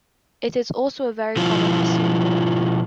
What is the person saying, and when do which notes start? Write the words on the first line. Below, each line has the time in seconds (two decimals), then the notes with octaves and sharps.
It is also a very common pseudomorph.
1.37 B2 F3 E4 F4